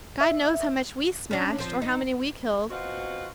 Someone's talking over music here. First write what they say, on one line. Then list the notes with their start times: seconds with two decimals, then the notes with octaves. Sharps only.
God knows how much we smashed or how many we killed.
0.21 E5
1.31 C#4 D4
1.58 F3 C4
1.82 D#4
2.70 B2 C4 F4 F#4 D#5 F#5